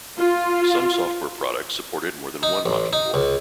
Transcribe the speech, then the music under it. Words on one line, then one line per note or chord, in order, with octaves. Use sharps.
Some software products supported more than one Mockingboard.
F4
D#4
A1
D#4
C#2